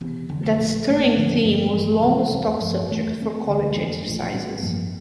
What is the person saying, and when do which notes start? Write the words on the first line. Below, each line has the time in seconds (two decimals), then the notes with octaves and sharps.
That stirring theme was long a stock subject for College exercises.
0.01 E1 E2 C3
0.29 F1 F2 D3
0.58 A#1 A#2 A3
0.87 A#1 A2 F3 A#3
1.16 E2 D3 F3
1.45 G2 F3 A3 C4
1.74 A1 G2 E3 A#3
2.03 C2 C3 F3
2.32 E2 E3 G3 C4
2.61 A1 G2 F3 A3
2.89 F1 E2 E3 A3
3.18 G2 E3 A3 C4
3.47 E1 D2 D3
3.76 F2 E3 A#3 D4
4.05 A#1 A2 F3
4.34 A1 A2 G3 C4
4.62 A1 G2 F3 A#3